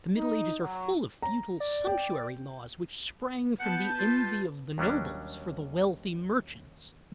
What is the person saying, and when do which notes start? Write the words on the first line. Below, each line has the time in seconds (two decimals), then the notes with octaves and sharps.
The Middle Ages are full of futile sumptuary laws which sprang from the envy of the nobles for the wealthy merchants.
0.17 D#4
0.61 F#3
1.22 A#5
1.60 D5
1.87 G5
3.60 B3 B4 F#5 A5 G6
3.99 F4
4.78 D#2 F#3 G3 C#4 D4